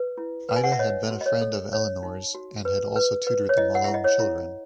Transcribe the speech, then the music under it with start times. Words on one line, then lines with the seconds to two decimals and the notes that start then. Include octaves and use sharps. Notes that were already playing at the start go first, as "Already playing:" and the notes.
Ida had been a friend of Elinor's and had also tutored the Malone children.
Already playing: B4
0.18 E4
0.49 B4
0.56 G#5
0.64 F#5
0.72 E5
0.79 C#5 D#5
1.11 F#4
1.21 D#5
1.26 C#5
1.41 A4
1.73 C#5
2.03 D#4
2.35 F#4
2.65 B4
2.96 B4
3.27 B4
3.49 C#5
3.57 E4 D#5
3.75 F#5
3.84 E4 E5
3.94 D#5
4.04 C#5
4.20 E4